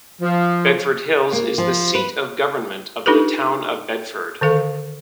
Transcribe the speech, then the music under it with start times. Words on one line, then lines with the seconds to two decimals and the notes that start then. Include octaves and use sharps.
Bedford Hills is the seat of government of the Town of Bedford.
0.21 F3
1.32 A#3
1.58 F3
1.95 B4
3.06 D4 D#4 F4 G4 A4 B4
4.41 D3 D#3 A4 F5